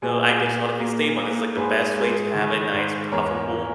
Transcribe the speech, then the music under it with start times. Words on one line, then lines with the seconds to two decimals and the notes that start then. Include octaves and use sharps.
No, I did just want to be stable and this is, like, the best way to have a nice profitable
0.02 A#2 G#4
0.41 A#2 G#4
0.80 A#3
1.18 A#3
1.57 G#2 G#4 B4
1.96 G#3
2.34 D#3
2.73 G#2
3.12 E2 A#4 C#5
3.51 E3